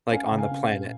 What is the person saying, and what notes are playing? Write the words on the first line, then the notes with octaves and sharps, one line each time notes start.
like, on the planet.
C#4 F5 G#5
G5 A#5
C#3
F5 G#5
C#4
A#2